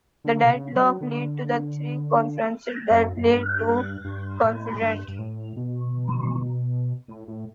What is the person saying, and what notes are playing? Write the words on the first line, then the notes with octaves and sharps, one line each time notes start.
The deadlock lead to the three conferences that lead to confederation.
D3
B2
C#3
F#3
D3
F#2
F#2
G2
G2
A2
A2
G2
G2
A2
B2
A2
A2